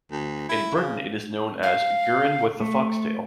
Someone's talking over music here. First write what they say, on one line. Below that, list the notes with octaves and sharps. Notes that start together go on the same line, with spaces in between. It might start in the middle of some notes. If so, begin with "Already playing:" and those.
In Britain it is known as "Gurin with the Foxtail".
D2
E4
C#3
F5
A3